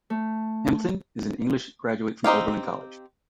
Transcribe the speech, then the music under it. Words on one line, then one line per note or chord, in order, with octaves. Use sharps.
Hamilton is an English graduate from Oberlin College.
A3
C4 D#4 G4 F5